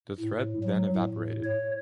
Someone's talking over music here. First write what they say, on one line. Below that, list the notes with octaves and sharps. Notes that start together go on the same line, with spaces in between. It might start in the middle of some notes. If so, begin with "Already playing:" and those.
The threat then evaporated.
A2
F#3
A2
C#5